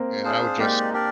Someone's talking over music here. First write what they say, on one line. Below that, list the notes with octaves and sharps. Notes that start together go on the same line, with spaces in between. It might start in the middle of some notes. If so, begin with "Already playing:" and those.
and I would just
Already playing: A#3 C4
D4 G#4 C5 F5
G#3 A#3 D#4 G4 D5
D4 G4 A#4 D5